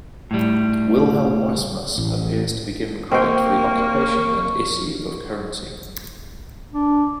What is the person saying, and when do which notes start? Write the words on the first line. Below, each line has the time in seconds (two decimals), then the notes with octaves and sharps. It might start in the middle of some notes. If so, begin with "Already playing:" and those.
Wilhelm Wassmuss appears to be given credit for the occupation and issue of currency.
0.31 A2 G3
1.98 A1
3.11 A#3 C4 G5 C#6
6.73 D4